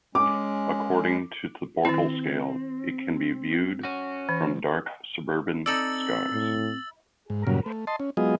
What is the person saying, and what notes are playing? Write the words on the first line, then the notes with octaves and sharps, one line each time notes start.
According to the Bortle scale, it can be viewed from dark suburban skies.
G#3 C#4 D6
D#3 C4 E4
C#4 F#4
E3
C4 D#4 A4 D5 E6 A6 F#7
A2
G#2
G2 A#2 C#3 F#3
A3
D#5 A5 C6
C#4
F#3 G#3 B3 F4 G#4 D#5